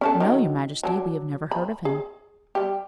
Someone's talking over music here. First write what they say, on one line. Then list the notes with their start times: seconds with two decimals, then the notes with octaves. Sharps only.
'No, your majesty, we have never heard of him.'
0.01 C#4 D4 A4
0.20 D#3 F#3
0.83 F#3 D4
1.51 B5
1.85 G#4
2.55 G3 G4